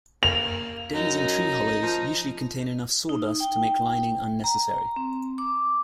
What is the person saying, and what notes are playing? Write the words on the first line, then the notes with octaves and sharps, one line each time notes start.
Dens in tree hollows usually contain enough sawdust to make lining unnecessary.
A#3 F7
F#2 D#4
F3
D#4
G5
A#5
C4
D6